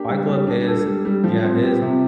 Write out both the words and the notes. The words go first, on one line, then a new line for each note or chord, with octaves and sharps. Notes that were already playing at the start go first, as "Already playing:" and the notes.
Fight Club is Yeah, it is
Already playing: A#3 D4 G4
G3
G3
D4
A4
G3
G3
F3
C4
G4
C3